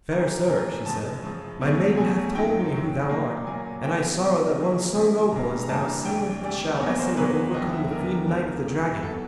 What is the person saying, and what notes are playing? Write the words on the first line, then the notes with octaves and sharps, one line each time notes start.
'Fair sir,' she said, 'my maiden hath told me who thou art, and I sorrow that one so noble as thou seemest shall essay to overcome the fiend knight of the Dragon.
D2 C3 E3 A3 C4 A#5
D2 C3 E3 A3 C4 A#5
F#2 C#3 F3 A5
F#2 C#3 F3
C#2 B2 F#3 A3
C#2 B2 F#3 A3 G#5
F#2 D#3 F#3 G5
F#2 D#3 F#3
A#2 F#3 A#3
A#2 F#3 A#3 G#5
C2 B2 G3 C4 F4 G5
C2 B2 G3 C4 F4
C#3 F3 A#3 C#4 E4
C#3 F3 A#3 C#4 E4 G#5
G2 E3 G3 A#3 A#5
A#5
G2 E3 G3 A#3 A5
D2 C3 E3 G3 G5
D2 C3 E3 G3 D5
E2 B2 F#3 A#3 C#5
C5
E2 B2 F#3 A#3 B4
D#2 D3 F#3 B3 E4 D#5
E5
D#2 D3 F#3 B3 E4 A#4
C#2 B2 G3 A#4
C#2 B2 G3
B2 F#3 B3 E4 A4